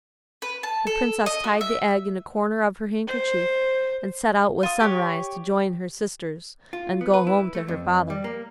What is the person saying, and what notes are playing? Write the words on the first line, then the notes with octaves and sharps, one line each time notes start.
The Princess tied the egg in a corner of her handkerchief, and set out with Sunrise to join her sisters and go home to her father.
B4
A5
A4
D#5
F#4
E5
C5
F4 D#6
G4 C#5
F4
B3
B4
E4
A3
F2
G3
A#3